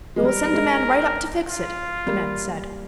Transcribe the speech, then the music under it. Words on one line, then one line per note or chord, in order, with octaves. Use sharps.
"We will send a man right up to fix it!" the men said.
G#3
G3 A#4
G3
G#3
F4
G3 A#3